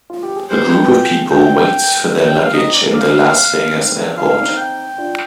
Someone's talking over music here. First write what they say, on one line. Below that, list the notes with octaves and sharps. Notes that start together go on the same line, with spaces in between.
A group of people waits for their luggage in the Las Vegas airport.
F4
G4
G#4
G4 B4 C5
G5
B4
F4 G#4
F4 G#4 G5
G5
F5
C4 D#4 D#5
D5
F5
C4 D#4
F4 F5
D#4
D4
C4 D#4
G5
D4 F4